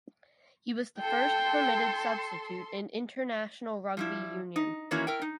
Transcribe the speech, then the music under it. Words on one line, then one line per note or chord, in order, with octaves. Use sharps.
He was the first permitted substitute in international rugby union.
A4 G5 C6
F3 G3 E4
D#4
D#3 E3 A#3 C#4 E4 F#4
A#4 E5 G5
D#4